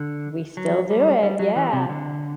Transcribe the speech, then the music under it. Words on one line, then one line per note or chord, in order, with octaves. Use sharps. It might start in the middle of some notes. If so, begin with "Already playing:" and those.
we still do it, yeah.
Already playing: D3
F#3
G3
G3
F#3
E3
C3
D3